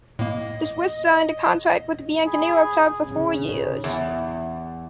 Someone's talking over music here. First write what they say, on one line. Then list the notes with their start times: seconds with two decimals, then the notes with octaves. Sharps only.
The Swiss signed a contract with the “Bianconero” Club for four years.
0.19 A2 A#3 D#5
2.25 G#4 B5
3.08 C#3
3.84 E2